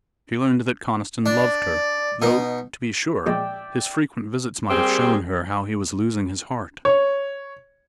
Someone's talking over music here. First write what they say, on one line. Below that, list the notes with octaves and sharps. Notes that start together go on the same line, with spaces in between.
She learned that Conniston loved her, though, to be sure, his frequent visits might have shown her how he was losing his heart.
D4 D5
B2 D#4
A#1 G#3 D5 E5 G5
G3 A#3 C4 G4 G#4
C#5